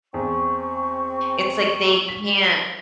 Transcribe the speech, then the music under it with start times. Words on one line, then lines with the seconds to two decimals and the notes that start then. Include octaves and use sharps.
It's, like, they can't
0.14 E2 C4 C#6
2.09 B6